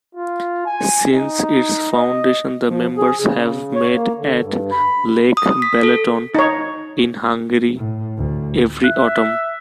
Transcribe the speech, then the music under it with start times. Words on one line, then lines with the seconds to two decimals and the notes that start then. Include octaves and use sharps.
Since its foundation, the members have met at Lake Balaton, in Hungary, every autumn.
0.15 F4
0.66 G#5
1.13 D#4
1.93 D#5
2.68 F3
2.98 G#4
3.20 C#3
3.75 C#5
3.95 A#3
4.19 D3
4.42 G2
4.72 B5
5.37 D#6
5.62 B6
5.83 A4
6.35 D#4 C#5
7.76 A2
8.17 D2
8.84 E5 F#6